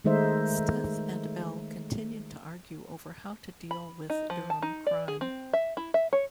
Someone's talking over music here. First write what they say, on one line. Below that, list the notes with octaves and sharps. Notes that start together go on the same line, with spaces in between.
Stith and Bell continued to argue over how to deal with Durham crime.
D#3 G#3 A3 D#4 C5 E5
B5
D#4
F3
A5
D#4
D5
G#4
C4
E5
E4
E5
C#5